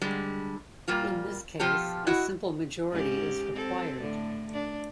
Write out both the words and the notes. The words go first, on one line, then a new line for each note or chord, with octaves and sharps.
In this case, a simple majority is required.
D3 G3 G#3
A#2 G3 A#3 F4
B2 F3 F4 G4 A4
E4 F#4 D#5
G#2 C#4 G4
C4 A4
A2 D3
D4